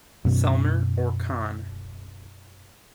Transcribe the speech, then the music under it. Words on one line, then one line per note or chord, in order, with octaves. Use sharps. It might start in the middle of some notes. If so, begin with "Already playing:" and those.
Selmer or Conn.
F#2 B2 C#4